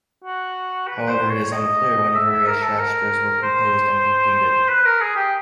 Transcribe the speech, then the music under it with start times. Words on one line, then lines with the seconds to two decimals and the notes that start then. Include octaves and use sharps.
However, it is unclear when various Shastras were composed and completed.
0.24 F#4
0.87 B4
1.09 C5
1.30 C#5
1.52 D#5
2.09 D#5
2.14 E5
2.31 E5
2.46 A#4
2.62 A4
2.79 A#4
3.42 C5
4.69 B4
4.85 A#4
5.01 G#4
5.16 G4